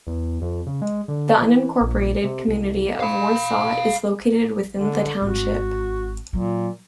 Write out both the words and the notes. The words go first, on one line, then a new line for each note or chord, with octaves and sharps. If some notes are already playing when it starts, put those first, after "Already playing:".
The unincorporated community of Warsaw is located within the township.
E2
F2
C#3
G#3
D3
E3
A#1
C3
C2
F5 B5
D3
G#1 F#4
A#2 F#3